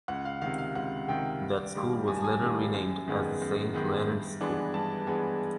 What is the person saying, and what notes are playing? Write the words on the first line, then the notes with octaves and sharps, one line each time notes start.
That school was later renamed as the St Leonards School.
C#2 F#5
F5
C3 D#3 F5
F5
C#2 F#5
C3 D#3 G5
G2
D#3 G3 A#3
G2 G#5
A5
G#5
D#3 G3 A#3
F#2
D#3 G#3 B3
F#2
D#3 G#3 B3
G2
E3 G#3 B3 D4
G2 A5
E3 G#3 B3 D4